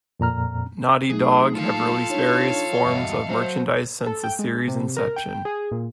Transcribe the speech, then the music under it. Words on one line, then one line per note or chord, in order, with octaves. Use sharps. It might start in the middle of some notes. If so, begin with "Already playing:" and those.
Naughty Dog have released various forms of merchandise since the series inception.
F2 A#2 A#5 F6
F#3 A3 D#4 G#4
F4 A4 F5 A5
D4 D#4 C#5
E2 G2 F#4 D#5 E5
F#3 C5
A4
G5
G#3
C3
A#4
G5
G#4
A#2